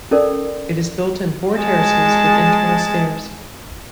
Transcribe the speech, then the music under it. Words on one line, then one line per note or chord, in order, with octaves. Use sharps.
It is built in four terraces with internal stairs.
C#4 D#4 A4 A#4 D5
G#3 A5